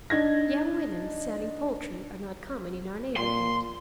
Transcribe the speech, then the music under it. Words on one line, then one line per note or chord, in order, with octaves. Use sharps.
Young women selling poultry are not common in our neighborhood.
D4 D#4 G#6 A#6
A#2 C6